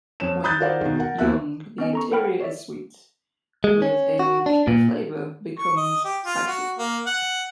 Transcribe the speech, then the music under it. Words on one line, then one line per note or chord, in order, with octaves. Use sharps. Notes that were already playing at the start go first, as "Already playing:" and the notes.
When young, the interior is sweet, with age the flavor becomes spicy.
F2 C#4 E7
B5 D#6 F#6 G6 A6
F4 A#4 C5 D5 F5 F#5
B2 D#3
A#4 F#5
D#2 A#3 B3 E5 F#6
B3 C#4 D#5 G#5
A4 A#5 C#6
A4 B4 F#5 G5 B5 F6
F#5
C#5 D5 E5
G#3
C#4
F#4
D4
A#2
C#6
D#5
G4
F4
F#4
A#3
F#5